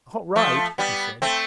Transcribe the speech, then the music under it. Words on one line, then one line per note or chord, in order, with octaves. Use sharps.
"All right," he said.
F3 A3
G3 B3
A3 C4